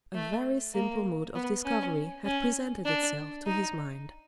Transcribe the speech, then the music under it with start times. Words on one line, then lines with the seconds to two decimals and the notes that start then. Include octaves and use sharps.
A very simple mode of discovery had presented itself to his mind.
0.15 A3
0.75 A#3
1.35 B3
1.65 C#4
2.25 C#4
2.86 D4
3.46 D#4